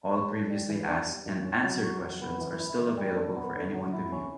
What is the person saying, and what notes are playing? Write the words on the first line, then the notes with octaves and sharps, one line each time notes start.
All previously asked and answered questions are still available for anyone to view.
C#5
A4
G3
E3
D4
G3
F#2
C#4
F#3
F#4
F#3
B3
E3
E4
E3
G3
D4
B3
D3
F#3
E4
C#4